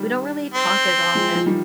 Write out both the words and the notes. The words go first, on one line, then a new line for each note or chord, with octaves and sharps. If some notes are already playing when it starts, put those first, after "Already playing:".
we don't really talk as often.
Already playing: D#3 G3
C4
F3 G#3
F3
D#3 G3